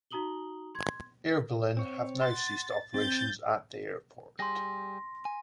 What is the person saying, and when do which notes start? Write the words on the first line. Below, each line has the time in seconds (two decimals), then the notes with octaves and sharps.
Air Berlin have now ceased operations at the airport.
0.11 D#4 F#4 A#5 D#6 F#7 G7
0.75 C6 G#6
1.77 C4 C#5
2.21 F#5 C6 A6
2.94 C4 G6 A6
4.39 G3 G4 G#4 C6 A#6
5.25 G#5